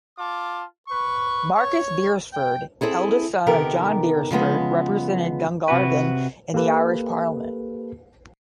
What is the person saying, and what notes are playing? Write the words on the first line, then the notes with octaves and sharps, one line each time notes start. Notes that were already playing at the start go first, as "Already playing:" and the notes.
Marcus Beresford, eldest son of John Beresford, represented Dungarvan in the Irish Parliament.
F4 A5 D6
B4 C#6
C#5 C#6
G5
C4 E4 G#4 A4
C3 D#3 B3 G4 A4 A#4
C#3 F3 G#3 B3
C3 F#4 B4
A#3 G4 A4 B4